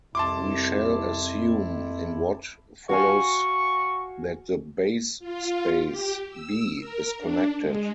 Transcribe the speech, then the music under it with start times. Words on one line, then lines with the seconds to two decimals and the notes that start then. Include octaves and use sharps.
We shall assume in what follows that the base space "B" is connected.
0.15 C2 F2 E4 A5 C6 D6
2.89 F#4 F5 G#5 C#6
5.19 F4
5.85 G4
6.29 E6
6.79 A#4
7.18 D4
7.59 G#3